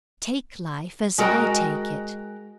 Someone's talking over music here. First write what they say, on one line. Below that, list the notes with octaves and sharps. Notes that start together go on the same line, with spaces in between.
Take life as I take it.
G#3 F#4 A#4 D#5 G5